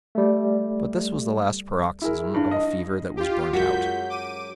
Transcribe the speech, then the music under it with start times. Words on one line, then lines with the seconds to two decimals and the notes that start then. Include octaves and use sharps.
But this was the last paroxysm of a fever that was burnt out.
0.15 G3 A3
2.02 E4 G#4 A#4
2.34 G2
2.51 D#5
3.17 F4 G4
3.53 F#2 G#3 F#4 G6 B6
4.10 D6 D#7